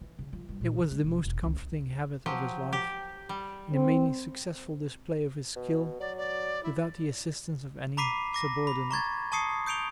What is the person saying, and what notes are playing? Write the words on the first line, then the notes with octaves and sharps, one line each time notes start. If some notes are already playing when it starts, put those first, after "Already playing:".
It was the most comforting habit of his life, in a mainly successful display of his skill without the assistance of any subordinate.
E3
C#3
F3
G2
A#2
C#3
G#3
E1
E1
C#2
F3 F#3 G4
G4
G3
C4
B2
F#3 D5
D5
E4
A#5 B5 D6 B6 C7 D#7
D6 A#6
B5
A#5 C#6 G#6 A6
A5 C#6 D#6 C7 C#7
D#6 G6 C#7 D7 F7 G7